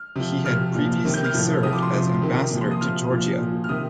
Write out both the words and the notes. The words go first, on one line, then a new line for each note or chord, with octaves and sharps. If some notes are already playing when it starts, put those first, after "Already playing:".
He had previously served as Ambassador to Georgia.
Already playing: F6
C3 F3
C3 F3 F6
A#2 F3
C3 D#3
G6
F6
A2 F3
C3 F3 D#6
D6
C6
C3 F3
C3 D#3
A#2 F3
C6
D#6
C3 F3 F6
A#2 F3
A#2 F3
F6
C3 D#3 D#6